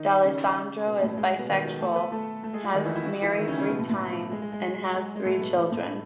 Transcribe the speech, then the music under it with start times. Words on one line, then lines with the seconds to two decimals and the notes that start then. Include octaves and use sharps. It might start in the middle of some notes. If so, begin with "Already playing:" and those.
Dallesandro is bisexual, has married three times, and has three children.
Already playing: D#3 D#4
0.24 C#3 C#4
0.86 B2 B3
1.02 A2 A3
1.17 G#3
1.28 G#3
1.39 B2 B3
1.49 D#3 D#4
1.65 F#3 F#4
1.81 A3 A4
1.96 B3 B4
2.12 A3 A4
2.43 A3 A4
2.53 G#3 G#4
2.64 F#3 F#4
2.74 D#3 D#4
2.85 E3 E4
2.95 E3 E4
3.05 F#3 F#4
3.22 E3 E4
3.37 D#3 D#4
3.47 C#3 C#4
3.58 C#3 C#4
3.68 B2 B3
3.79 A2 A3
3.90 A2 A3
4.31 G#3
4.42 G#3
4.53 G#3
4.95 G#3
5.16 G#3
5.25 A2 A3
5.41 B2 B3
5.57 A2 A3
5.72 A2 A3